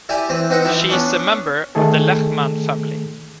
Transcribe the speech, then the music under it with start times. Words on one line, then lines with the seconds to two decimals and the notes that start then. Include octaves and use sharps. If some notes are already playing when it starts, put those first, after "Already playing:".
She is a member of the Lehman family.
0.09 E4 G4 D5 G#5
0.29 E3 C4
0.50 C4 D#4 B4 F#5 G5
0.65 E3 F3 E4
0.90 B3 C#4 D4
1.75 D#3 A3 G#4 A4